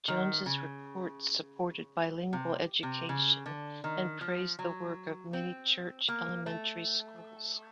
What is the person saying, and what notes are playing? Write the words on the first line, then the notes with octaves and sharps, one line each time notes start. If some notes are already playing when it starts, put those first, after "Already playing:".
Jones's reports supported bilingual education and praised the work of many church elementary schools.
D#3
C#3
C3
C3
C#3
D3
D#3
F3
F#3
C4
A#3
A3